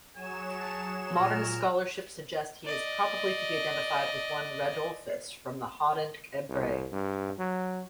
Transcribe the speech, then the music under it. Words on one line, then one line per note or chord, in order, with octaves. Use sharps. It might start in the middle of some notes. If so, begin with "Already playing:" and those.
Modern scholarship suggest he is probably to be identified with one Radulfus from Hodenc-en-Bray.
F#3 G#4 C#5 G#5 E7
A5
A#2 A#4
D5 D#5
C2
G2
F#3